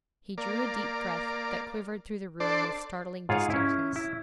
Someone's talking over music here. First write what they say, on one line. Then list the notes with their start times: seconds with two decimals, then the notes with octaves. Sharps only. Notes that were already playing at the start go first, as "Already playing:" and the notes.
He drew a deep breath that quivered through the room with startling distinctness.
0.38 A#3 D5
2.40 D4 A4 C5 D5
3.29 G#2 F4 G#4 C#5
3.50 C#4 E4
3.96 E4